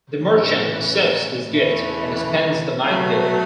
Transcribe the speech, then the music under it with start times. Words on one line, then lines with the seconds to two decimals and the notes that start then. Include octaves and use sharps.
The merchant accepts this gift and spends the night there.
0.21 A2 E3 C#4
1.52 E2 C#3 E3 A3 E4
2.83 B2 F#3 A3